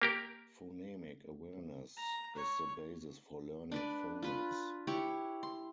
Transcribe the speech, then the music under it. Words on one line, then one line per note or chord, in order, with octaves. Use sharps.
Phonemic awareness is the basis for learning phonics.
A#3 G4 A#4
A#5
C#5
D4 B4 D5
F4 B4
E4 G4 C#5 C#6
C6